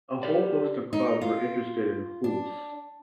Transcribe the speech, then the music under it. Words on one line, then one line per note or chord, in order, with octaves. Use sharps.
A whole host of clubs were interested in Hulse.
G4 A4 D5
D#4
F4
D4